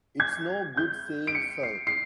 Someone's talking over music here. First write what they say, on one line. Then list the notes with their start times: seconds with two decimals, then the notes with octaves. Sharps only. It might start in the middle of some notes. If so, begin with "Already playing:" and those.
It's no good saying 'Sir?'
0.20 G#6
0.77 G6
1.27 D7
1.35 C#7
1.63 C7
1.87 C7